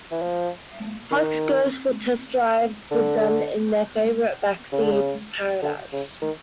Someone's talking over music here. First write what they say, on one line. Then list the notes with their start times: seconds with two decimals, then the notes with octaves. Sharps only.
Flex goes for test-drives with them in their favorite backseat paradise.
0.12 E3
0.22 F3
1.11 D#3
2.91 D3
4.72 C#3
4.82 D3
4.92 C#3
5.63 D3
5.93 C#3
6.22 D#3